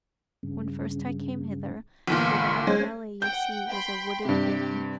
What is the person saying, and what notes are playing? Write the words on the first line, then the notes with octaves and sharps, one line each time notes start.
When first I came hither, the wide valley you see was a wooded glen.
G2 C#3
G1 E2 A#2 F5 B5 C#6
G#3 C#4 C5 G#5
F#5 G5 G6
G5 B5 C6
G2 C3 G4